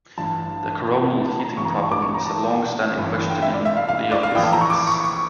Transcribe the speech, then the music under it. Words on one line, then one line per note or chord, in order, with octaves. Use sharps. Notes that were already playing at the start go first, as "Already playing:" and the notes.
The coronal heating problem is a longstanding question in heliophysics.
A1 G2 E3 A5
A5
A#5
A1 G2 E3 C#6
A#5
A5
C#6
D6
C#6
A#5
A5
G5
G1 G2 E3
G5
E5
D5
E5
F5
F5
D5
F5
A#1 A2 E3 G5
A5
A#5
C#6
D6
C#6
C#6